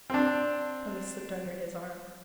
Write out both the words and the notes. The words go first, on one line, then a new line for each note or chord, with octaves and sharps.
Tony slipped under his arm.
C4 D4